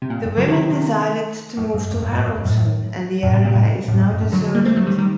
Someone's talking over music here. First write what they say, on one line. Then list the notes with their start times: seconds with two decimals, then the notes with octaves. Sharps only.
The women decided to move to Haraldssund, and the area is now deserted.
0.02 C3
0.10 A#2
0.18 A2
0.25 G2
0.37 D3 F#3
0.48 C3 D#3
0.70 C3 D#3
0.81 C3 D#3
1.57 F#2 A2
1.74 G2
1.91 F#2
2.02 G2
2.12 F#2 A2
2.24 F#2
2.35 G2
2.45 F#2 A2
2.57 F#2 A2
3.23 F#2 A2
3.33 A2 C3
3.44 G2 A#2
3.55 A2 C3
3.88 F#2 A2
3.99 G2
4.11 G2
4.21 F#2 A2
4.32 D3 F#3
4.54 G3 A#3
4.65 A3 C4
4.76 F#3 A3
4.87 D#3 G3
4.98 D#3 G3